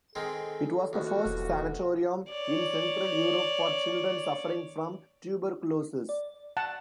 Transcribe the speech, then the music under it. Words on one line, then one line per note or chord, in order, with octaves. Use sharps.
It was the first sanatorium in Central Europe for children suffering from tuberculosis.
D#3 G#3 C4 A4
D#2 E3 F3 F#4
E1
C#5 D5
D5
F#5 A5